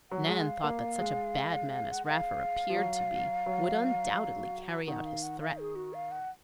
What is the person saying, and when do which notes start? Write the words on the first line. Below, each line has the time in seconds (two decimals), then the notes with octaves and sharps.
Nan thought that such a bad man as Raffer appeared to be would undoubtedly carry out his threat.
0.11 F#3 F#5
0.28 G#3 F#5
0.47 F5
0.64 A#3
1.00 G#3
1.91 F#5
2.05 F#5
2.10 F5
2.69 F3
2.76 F#3
3.46 F#3
4.87 D#3 F#5
5.06 F5
5.22 F#5
5.40 F5
5.58 G#4
5.76 F#4
5.94 F5
6.11 F#5